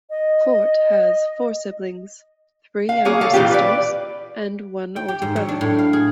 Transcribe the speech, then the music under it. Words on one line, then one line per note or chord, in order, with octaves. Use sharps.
Cort has four siblings-three younger sisters and one older brother.
D#5
F5
A#3 G#4 C#5 F5
A4 F5
A#2 E3 A#3 F4 G4
B4 D5
G5
G4
G#2
F#3
D4
A2
F5
G#4